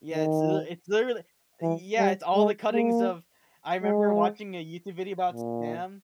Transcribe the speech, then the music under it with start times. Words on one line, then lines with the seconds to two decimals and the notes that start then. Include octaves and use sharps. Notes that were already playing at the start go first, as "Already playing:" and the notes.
Yeah, it's l it's literally yeah, it's all the cuttings of I 'member watching a YouTube video about Spam.
0.14 D#3
1.62 E3
1.98 G3
2.36 G#3
2.72 A#3
3.83 G#3
5.31 A#2